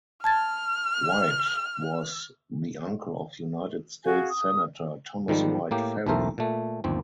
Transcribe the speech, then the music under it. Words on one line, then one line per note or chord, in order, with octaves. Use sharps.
White was the uncle of United States Senator Thomas White Ferry.
A5 F6 G#6 A6
F#4 G#4 F5 G#5
D#6
G#2 D#3 F3 G3
A2 A#3 G4
B1 E2 A3 A#4 C5 E5
A#2 A3
G1 D#2 F3 C4